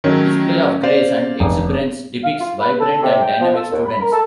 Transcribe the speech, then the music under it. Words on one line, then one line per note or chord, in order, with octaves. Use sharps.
The display of grace and exuberance depicts vibrant and dynamic students.
D#3 F#3 A3 C#4
C5 D5 F5
F1
F5
F4
B4
A4
C3
G5
F3
A4
D#2
B5
A#4
A4